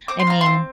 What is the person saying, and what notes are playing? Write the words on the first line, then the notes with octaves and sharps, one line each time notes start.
I mean,
C4 D6
C6
F4 A#5
C6
C4